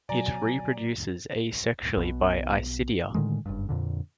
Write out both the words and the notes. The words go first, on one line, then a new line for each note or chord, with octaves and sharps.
It reproduces asexually by isidia.
B2 F#3 D5 G#5 A#5
B1 B2
A2 D3 D#3 G#3
F#1 G2
F2 A#2 D3